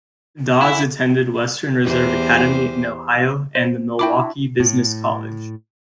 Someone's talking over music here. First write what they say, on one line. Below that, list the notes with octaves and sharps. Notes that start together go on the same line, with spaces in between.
Dawes attended Western Reserve Academy in Ohio and The Milwaukee Business College.
E4 F#5 G#5
E2 G4 C5
C5
D4 E4 F#4 G5 B5 D6
A2